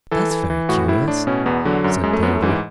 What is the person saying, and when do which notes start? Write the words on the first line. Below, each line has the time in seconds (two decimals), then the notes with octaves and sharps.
"That's very curious," said Davy.
0.11 E3 A4
0.31 E3
0.50 E3
0.69 A2 F#4
0.88 A2 E4
1.07 A2 D4
1.27 B2 C#4
1.46 E2 B3
1.65 D3 F#3
1.84 F#2
2.03 F#2 G#3
2.13 A3
2.23 F#2 B3
2.33 A3
2.42 G#2 E3